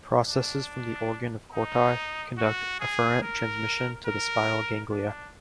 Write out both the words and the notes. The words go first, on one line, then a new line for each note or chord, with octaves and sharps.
Processes from the organ of Corti conduct afferent transmission to the spiral ganglia.
D4
D#4
F#4
G#4
A#4
A#4
D4